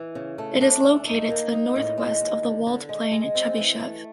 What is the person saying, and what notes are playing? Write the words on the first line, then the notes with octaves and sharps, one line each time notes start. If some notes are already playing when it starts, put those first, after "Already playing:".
It is located to the northwest of the walled plain Chebyshev.
Already playing: E3
C#3
A3
D4
A3
D#4
A#3
D#4
A2
G#3
D#2
D3
D3
G#3
G#3
C4
E3
A3